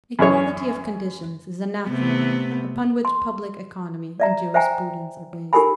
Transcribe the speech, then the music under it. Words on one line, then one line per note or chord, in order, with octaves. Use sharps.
Equality of conditions is a natural law upon which public economy and jurisprudence are based.
F#2 E3 C#4 G#4 C#5 C#6
C3 A3 B3
C6
D5 E5 A#5
C5 E5 G5 G#5 A#5
D#4 G4 A4 A#4 G#5 B5